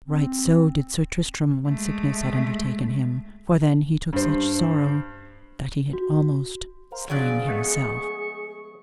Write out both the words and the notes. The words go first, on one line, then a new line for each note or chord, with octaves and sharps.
Right so did Sir Tristram when sickness had undertaken him, for then he took such sorrow that he had almost slain himself.
C4
G#3 A3
G2 C5
F#4
A#4 C5 F5
F3 F#3 B3 C#4 D4 G#4 D5 G#5
G#3 A3 B3 C#6